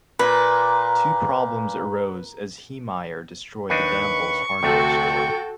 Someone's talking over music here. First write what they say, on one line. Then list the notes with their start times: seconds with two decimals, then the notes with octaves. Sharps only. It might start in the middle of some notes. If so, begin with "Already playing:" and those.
Two problems arose as Heemeyer destroyed the Gambles hardware store.
0.19 A#2 B4
3.70 D#2 D4 D#4 B4 C#6
4.63 D2 C3 A3 F#4 A4 G5